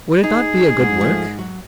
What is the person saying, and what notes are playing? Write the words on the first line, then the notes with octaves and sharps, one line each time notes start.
Would it not be a good work?
D#4 G#4
G#2
F3 A3
F#3